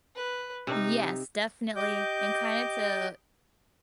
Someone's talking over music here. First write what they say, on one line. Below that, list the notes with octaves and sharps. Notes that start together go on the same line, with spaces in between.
Yes, definitely, and kinda to
B4
C3 D#4
G4 D#5 D6 G6